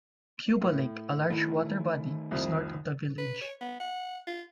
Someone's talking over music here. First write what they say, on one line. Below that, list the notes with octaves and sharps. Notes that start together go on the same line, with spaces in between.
Cuba Lake, a large water body, is north of the village.
A2
D#3 A3 E4
C2 F2
B4
C#5
B3
F#5
F4